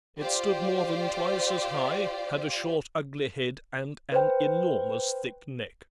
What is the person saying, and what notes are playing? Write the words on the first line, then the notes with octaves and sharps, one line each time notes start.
It stood more than twice as high, had a short, ugly head, and an enormous thick neck.
F4 G4 C5 D5
B4 C5 G5